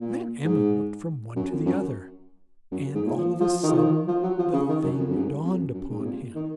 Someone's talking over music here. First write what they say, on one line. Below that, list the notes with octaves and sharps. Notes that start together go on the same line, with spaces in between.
Van Emmon looked from one to the other, and all of a sudden the thing dawned upon him.
A#2
G#2
F#2
F2
F#2
F#2
G#2
A#2
F3
F3
D#3
F3
D#3
F3
F#3
F3
C#3
D#3
F#2
F2
F#2
G#2
F#2
F2
F#2
F#2
G#2
C3
A#2
D#3